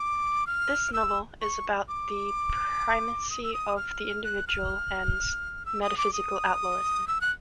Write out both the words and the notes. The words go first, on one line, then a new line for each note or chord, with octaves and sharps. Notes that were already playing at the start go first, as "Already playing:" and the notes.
This novel is about the primacy of the individual and "metaphysical outlawism".
Already playing: D6
F6
E6
C#6
D6
D#6
E6
D#6
F6
F#6
F6
E6
D#6
D6
D#6
E6
F#6